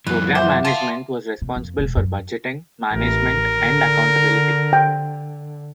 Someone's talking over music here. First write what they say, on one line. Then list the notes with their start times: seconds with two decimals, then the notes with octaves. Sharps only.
Program Management was responsible for budgeting, management and accountability.
0.07 F#2 E3 B4
0.35 C5 E5 F#5 D6
0.65 F4 F5 A5
1.42 C3
1.56 F2
1.78 E1
1.96 F#2
2.92 A1 A#4
3.58 D3
4.73 G5